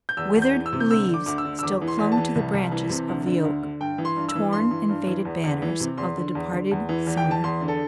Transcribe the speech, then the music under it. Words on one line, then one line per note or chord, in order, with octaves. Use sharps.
Withered leaves still clung to the branches of the oak: torn and faded banners of the departed summer.
G6
E2 E6
E2
G6
E3
E6
C3
G6
D2 E6
D3
D6
D2 D6
E6
D3
E6
E2 D6
E3
C6
E2
A5
E3
C2
C2
E3
C3
D2
D3
D2
D3
G2 G5
E3
C6
G2
E6
E3
G2 C6
E3
G2
E3
E2
E2
E3
C3
E2 C6
D3
E2
D3
E2
E3
E2
G5
E3
A5
E2 C6
D3
A4